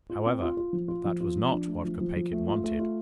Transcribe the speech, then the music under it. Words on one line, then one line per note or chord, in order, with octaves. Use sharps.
However, that was not what Kopeikin wanted.
F4
C4
F4
F4
F3
F4
F3
F4
F3
D4
A3
F3
F3
F3
A3
F4
A3
F4